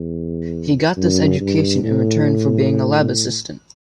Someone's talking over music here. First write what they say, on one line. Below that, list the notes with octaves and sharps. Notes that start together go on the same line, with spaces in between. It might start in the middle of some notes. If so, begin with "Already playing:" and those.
He got this education in return for being a lab assistant.
Already playing: E2
F#2
G2
A2